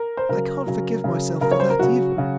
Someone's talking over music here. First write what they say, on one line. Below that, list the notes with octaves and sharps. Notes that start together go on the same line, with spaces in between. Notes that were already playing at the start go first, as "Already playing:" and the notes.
I can't forgive myself for that, either.
Already playing: A#4
C5
C#3 F#3 A#4
C#3 F#3
C#3 F#3
C#3 F#3 A#4
C#5
C5
A#4
C#3 F#3 F#4
C#3 F#3